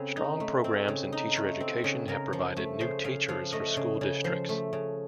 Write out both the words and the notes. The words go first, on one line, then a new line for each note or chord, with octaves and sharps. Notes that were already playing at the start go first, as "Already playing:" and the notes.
Strong programs in teacher education have provided new teachers for school districts.
Already playing: C#3 A3 C4
D#4
A3
C4
C#3
D#4
A3
C4
C#3
C#3 A#4
F3
A3
C#3 C5
C#3 F5
F3 F5
A3 D#5
C#3
C#3
F3 C5
A3
C#3